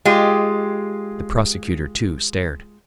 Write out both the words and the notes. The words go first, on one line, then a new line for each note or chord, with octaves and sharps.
The prosecutor, too, stared.
G#3 F4 G4